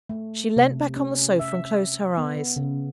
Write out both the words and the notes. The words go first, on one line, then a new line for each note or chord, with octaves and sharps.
She leant back on the sofa, and closed her eyes.
A3
C3
C#4
E5
B3
C#3